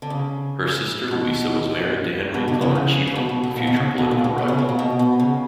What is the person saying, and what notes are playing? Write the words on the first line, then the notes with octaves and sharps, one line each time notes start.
Her sister Louisa was married to Henry Plummer Cheatham, a future political rival.
D3
C#3
B2
B2
B2 D3
C#3 E3
C#3
C#3
B2
B2
B2
A#2
B2
C#3
B2
A#2
B2
B2
C#3
B2
A#2
B2
B2
C#3